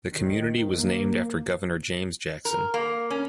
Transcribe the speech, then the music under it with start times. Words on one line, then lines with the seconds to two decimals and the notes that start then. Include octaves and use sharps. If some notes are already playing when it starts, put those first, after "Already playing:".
The community was named after governor James Jackson.
0.15 D#3
0.75 A#3
2.45 A#4
2.74 A#3
3.10 C#4